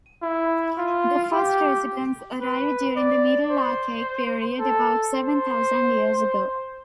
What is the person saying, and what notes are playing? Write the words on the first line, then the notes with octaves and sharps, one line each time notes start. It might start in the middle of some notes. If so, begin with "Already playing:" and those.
The first residents arrived during the Middle Archaic period about seven thousand years ago.
E4
F4
G4
B4
D5
C5
A4
C5